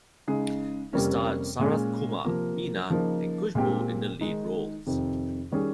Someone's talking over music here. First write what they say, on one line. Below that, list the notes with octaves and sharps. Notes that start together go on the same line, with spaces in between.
It starred Sarath Kumar, Meena and Kushboo in the lead roles.
C#3 G#3 D#4 G#4
F2 C3 G3 A#3 C#4
A#2 G#3 C#4
C3 F3 A#3 F4 A#4
C#3 F3 A#3 D#4
A#2 G#3 C4 G4 A#4
D#3 G#3 D#4
F2 C3 D#3
D#3 G3 C#4 G#4